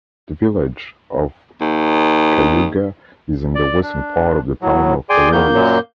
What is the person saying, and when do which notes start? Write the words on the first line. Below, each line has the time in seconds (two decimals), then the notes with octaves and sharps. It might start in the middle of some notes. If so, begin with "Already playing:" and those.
The village of Cayuga is in the western part of the town of Aurelius.
1.61 D#2
3.55 D5
3.82 D4
4.62 A2 F#3
5.10 G#4 D5 G5 G#5 C6
5.32 E2 D#3 A#3 G6
5.54 F#2 A#2 F#3